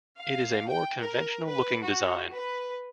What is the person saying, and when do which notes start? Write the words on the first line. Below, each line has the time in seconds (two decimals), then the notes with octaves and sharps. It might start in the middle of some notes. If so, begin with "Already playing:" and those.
It is a more conventional looking design.
0.18 F5
0.69 G5
0.99 A#4
1.46 B4
1.82 F#4
2.32 B4